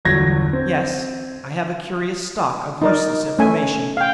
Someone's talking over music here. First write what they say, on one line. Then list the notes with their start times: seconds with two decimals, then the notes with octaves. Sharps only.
"Yes, I have a curious stock of useless information."
0.05 G1 E2 F#3 G#6 A#6
0.53 C4
2.82 D#4 A#4 D5
3.39 A3 C#4 E5 G#5
3.97 F5 G5